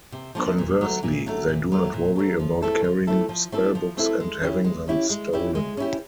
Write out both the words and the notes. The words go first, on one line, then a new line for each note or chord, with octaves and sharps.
Conversely, they do not worry about carrying spell books and having them stolen.
C3
F3 A#3 D4
A#2
F#3 A3
A#2
F#3 A3
A#2
F#3 A3
A#2
F#3 A3
F3
A3 C4 E4 A4
F3
A3 C4 E4 A4
F3
A3 C4 E4 A4
F3
A3 C4 E4 A4
G#3
C#4 E4 G4
G#3
C#4 E4 G4
G#3
C#4 E4 G4
G#3
C#4 E4 G4